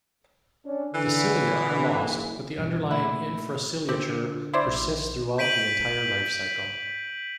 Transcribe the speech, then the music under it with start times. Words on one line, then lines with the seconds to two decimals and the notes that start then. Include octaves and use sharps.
The cilia are lost, but the underlying infraciliature persists throughout the entire life-cycle.
0.66 C#4 D4
0.94 D3 E3
1.96 F#1
2.58 G2 B2 E3
2.91 A#2 A3 E4
3.89 D3 C4 G4
4.53 E4 C5 D5
4.67 A#1
5.38 G6 B6 D7 D#7 F#7